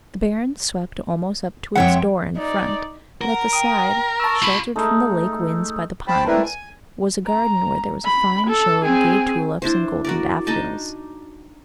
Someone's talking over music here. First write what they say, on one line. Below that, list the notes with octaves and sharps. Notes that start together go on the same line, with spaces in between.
The barrens swept almost up to its door in front but at the side, sheltered from the lake winds by the pines, was a garden where there was a fine show of gay tulips and golden daffodils.
F2 G#3 C#5 E5 F#5 G5
D#4 D5
A#4 F#5
G5 D#6
A5 C#6 E6
F4 B5
G#3 A3 D#4
C5 G5 A5 B5
A3 C4 D4 E4 A#4 B4
G#5
A#5
B5
A4
C4 G#4
D4 E4 C5
F#4 A#4 D5
D4 D#4 D#5 A5